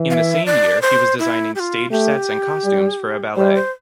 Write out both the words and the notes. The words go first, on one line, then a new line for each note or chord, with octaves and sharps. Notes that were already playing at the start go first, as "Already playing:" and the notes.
In the same year he was designing stage sets and costumes for a ballet.
Already playing: E3
F5
E5
D5
C5
E4
G4
F4
A3 G4
G3
G3 C5
C5